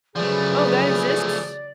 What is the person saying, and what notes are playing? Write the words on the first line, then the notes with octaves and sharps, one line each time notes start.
Oh, that exists?
C#3 F3 F#3 A3 G#4 B4 D5